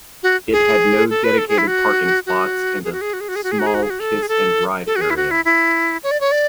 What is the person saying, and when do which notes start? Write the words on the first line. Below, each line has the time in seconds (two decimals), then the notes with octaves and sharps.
It had no dedicated parking spots and a small kiss-and-ride area.
0.23 F#4
0.52 G#4
1.10 A4
1.24 B4
1.38 A4
1.48 G#4
1.58 E4
1.67 F#4
2.26 F#4
2.84 G#4
2.92 F#4
3.01 G#4
3.13 F#4
3.21 G#4
3.28 F#4
3.36 G#4
3.44 F#4
3.52 G#4
3.59 F#4
3.67 G#4
3.74 F#4
3.83 G#4
3.90 F#4
4.00 A4
4.23 G#4
4.28 A4
4.87 A4
4.96 F#4
5.01 G#4
5.10 E4
5.17 F#4
5.31 E4
5.45 E4
6.03 C#5
6.11 D5
6.21 C#5
6.32 D5